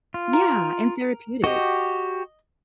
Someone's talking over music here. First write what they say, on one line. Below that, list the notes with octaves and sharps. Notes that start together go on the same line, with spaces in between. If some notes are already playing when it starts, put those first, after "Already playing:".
Yeah, and therapeutic.
F4
A#4
F#4 G4 D#5